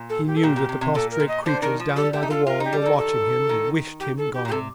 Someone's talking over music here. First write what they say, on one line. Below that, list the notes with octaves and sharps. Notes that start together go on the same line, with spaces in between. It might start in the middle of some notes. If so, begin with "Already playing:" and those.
He knew that the prostrate creatures down by the wall were watching him and wished him gone.
Already playing: A#2
A4
G4
A4
A#2 G4
A#2
C3
C3
A#2 A4
A#4
A#2
D#5
D3 C5
D#3 A#4
F3
G3 A4
A3 G4
D#4
F4 A4
F4 A#4
D#4 G4
G3
D#3 A4
A4
D#3
G4
A4
G4
A#2
G4
C3 A4